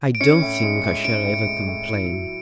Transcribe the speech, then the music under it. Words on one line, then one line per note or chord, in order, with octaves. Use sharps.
I don't think I shall ever complain.
D7
C#4 C#7
A2
G#3
A2
C#4 D7
A2
G#3
A2
E4
F#3